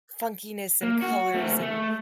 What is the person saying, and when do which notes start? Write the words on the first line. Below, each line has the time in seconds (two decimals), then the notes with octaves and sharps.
funkiness and colors, and
0.83 A#3
1.02 F#4
1.34 A3 C4
1.61 A3